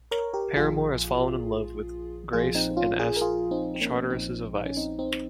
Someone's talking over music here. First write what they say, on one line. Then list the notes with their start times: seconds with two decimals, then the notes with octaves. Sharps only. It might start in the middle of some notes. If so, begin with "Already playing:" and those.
Paramore has fallen in love with Grace and asks Charteris's advice.
Already playing: A#1
0.11 A#4 C#5
0.33 G4 A#4
0.55 A#1 A#2 F3 F4 G#4
2.33 A#1 A#2 F3 F4 G#4
2.55 C4 D#4
2.77 C#4 F4
2.99 F4 G#4
3.16 A#4
3.21 F4 G#4
3.51 C4 D#4
3.75 C4
3.81 A#3 C#4
4.10 A#1 A#2 F3 C4 D#4
4.55 D#4
4.66 C#4
4.77 C4 D#4
4.99 C4 D#4